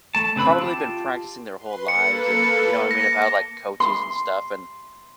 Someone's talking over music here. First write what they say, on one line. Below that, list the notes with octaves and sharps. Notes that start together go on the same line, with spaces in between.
probably been practicing their whole lives and, you know what I mean? Have had, like, coaches and stuff, and
A3 A5
C#3 C4 B4 B5 E6
F4 G4 A5
B4 C6
A#3 A4 B4 C#7
A5 D6 A#6
C6